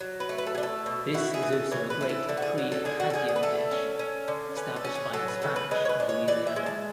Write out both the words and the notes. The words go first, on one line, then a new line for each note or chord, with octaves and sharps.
This is also a great pre-Acadian dish, established by the Spanish in Louisiana.
F#3
B4
A3
B4
A4
G#4
D4
A4
B2
E4 F#4
G#4
E3
A4
E3 C#5
B4
E4 B4
A4
D3 A4
F#4
G#4
F#3
A4
D3 G#4
F#4
A4
D3 G#4
G#4
B4
A3 A4
C#4
C#4
D3
C#4 B4
A4
C#4
G#4
F#3 A4
B4
C#3 A4
B4
G#3 B4
C#5
B4
D4
C#5
E3 D5
E5
G#3
A5